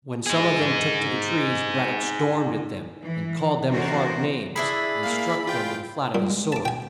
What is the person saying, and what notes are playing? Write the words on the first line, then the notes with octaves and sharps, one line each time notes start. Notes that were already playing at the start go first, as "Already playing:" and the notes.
When some of them took to the trees, Brad-dock stormed at them, and called them hard names, and struck them with the flat of his sword.
D#4 G#4
E3
D3 E3 C#4 F#4 A#4 C5
D4 E4 G#4 B5
A#3 F5
F4 G5
A#2 G3
G#3
A5 D6
B2 G5 G#5